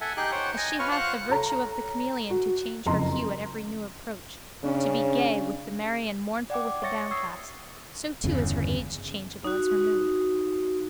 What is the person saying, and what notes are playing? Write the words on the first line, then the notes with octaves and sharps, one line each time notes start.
As she hath the virtue of the chameleon to change her hue at every new approach, to be gay with the merry and mournful with the downcast, so too is her age changeable as her mood.
A4 E5 F#5 G#5
D#4 G4 G#4 G5 F#6
C5 C#5 F#5 G5
D#5 G#5
F4 B4 C#5 C#6 F6
F4 C5 F5 F#5 C#6 F#6
A4 C#5 A#5
F#4
F#1 F2 D#5 A#5 C6
C#3 C#4 D4
D5 F#5 G5 D6
C#5 E5 C#6 A6 A#6 C#7
C#6 D#6 E6 G#6 A6 C7
G1 E2 C#3
D#4 F#4